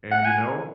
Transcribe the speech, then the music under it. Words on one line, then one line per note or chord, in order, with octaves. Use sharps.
and, you know,
F#5
G#5